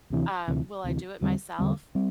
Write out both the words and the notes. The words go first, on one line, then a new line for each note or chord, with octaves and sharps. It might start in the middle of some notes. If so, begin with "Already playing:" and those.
Uh, Will I do it myself?
D2 C3 E3
D2 C3 E3
D2 C3 E3
E2 D3 G3 C4
E2 D3 G3 C4
G3 C4